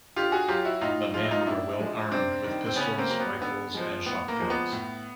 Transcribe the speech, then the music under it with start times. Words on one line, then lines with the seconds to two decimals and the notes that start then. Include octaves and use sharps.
The men were well armed with pistols, rifles and shotguns.
0.16 D3 F4 G4
0.32 F#4 G#4
0.48 F#3 F4 G4
0.65 E4 F#4
0.81 A2 D#4 F4
1.14 F3 G#3 F4
1.23 E4
1.31 D#4 F4
1.41 D#4
1.46 A2 D4 E4
1.79 F3 G#3
2.11 C3 C4 D4
2.44 D#3 G3
2.66 C4
2.76 C#3 B3 C#4
2.98 A#3 C4
3.09 F#3 A#3
3.20 B3
3.41 D3 B3
3.74 F3 G#3
4.06 A2 B3
4.28 A#3
4.40 F3 G#3
4.50 B3
4.72 A2